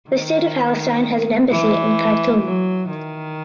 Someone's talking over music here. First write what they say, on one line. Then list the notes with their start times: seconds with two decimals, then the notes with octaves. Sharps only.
The State of Palestine has an embassy in Khartoum.
0.10 D#3
1.50 E3
2.43 F#3
2.90 D#3